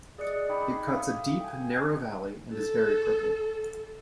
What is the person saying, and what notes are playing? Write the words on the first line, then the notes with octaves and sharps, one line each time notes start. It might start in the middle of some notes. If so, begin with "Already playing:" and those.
It cuts a deep, narrow valley and is very crooked.
G#4 D5 D#5 D#6 F#6 C#7
D#4 G5 B5 D6
A4 E5 F5 D#6
G5 G#5
A4